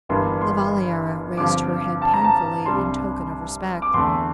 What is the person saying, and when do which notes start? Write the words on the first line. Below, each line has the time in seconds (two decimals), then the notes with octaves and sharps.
La Valliere raised her head painfully in token of respect.
0.09 G1 G2 E3 A#3 D4 C6
0.41 C6
1.37 G2 D3 F3 C4 D6
2.02 A5
2.14 A#5
2.24 A5
2.66 C2 C3 G3 D4 C6
3.82 D6
3.94 E2 D3 A3 C6